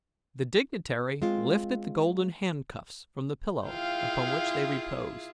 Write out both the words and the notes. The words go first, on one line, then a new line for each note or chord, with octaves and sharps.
The dignitary lifted the golden handcuffs from the pillow upon which they reposed.
G#3 C4 F4
E4 F4 G#4 F5 G5